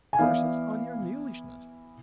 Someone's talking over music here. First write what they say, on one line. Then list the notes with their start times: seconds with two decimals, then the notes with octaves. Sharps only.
"Curses on your mulishness!"
0.13 G#5
0.18 E3 B3 E4 D5 F5